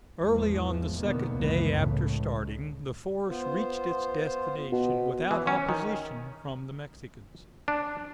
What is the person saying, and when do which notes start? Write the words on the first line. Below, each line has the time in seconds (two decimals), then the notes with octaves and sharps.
Early on the second day after starting the force reached its destination, without opposition from the Mexicans.
0.19 G#1 E2 E3 F3 G#3
0.97 B2 D3 D#3 A#3 B3
1.39 C#2 F#2 E3
1.80 C#2 A2 C#3
3.29 B3 F4 C5
4.72 B2
5.31 E3
5.47 C#4
5.69 D#3
7.68 D4